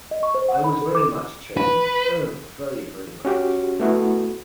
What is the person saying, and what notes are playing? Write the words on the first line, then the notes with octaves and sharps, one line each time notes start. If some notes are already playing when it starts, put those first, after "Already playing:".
I was very much changed — oh, very, very much.
D#5
C#6
C5
F#5
B5
A4
D6
B4
C#4 F#4 G4
A3 B3 E4 F#4